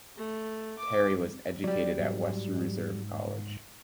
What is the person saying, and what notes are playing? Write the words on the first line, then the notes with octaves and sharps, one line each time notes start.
Terry was educated at Western Reserve College.
A3
D6
F#3 G3 D5
G#2